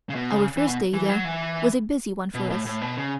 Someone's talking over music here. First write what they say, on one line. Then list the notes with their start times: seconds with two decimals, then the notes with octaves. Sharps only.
Our first day there was a busy one for us.
0.10 C#3
0.15 B2
0.31 C#3
0.57 E3
0.67 B2
0.94 E3
1.09 F#3
1.25 E3
2.35 B2
2.50 A2
2.66 A2
2.81 B2
2.97 C#3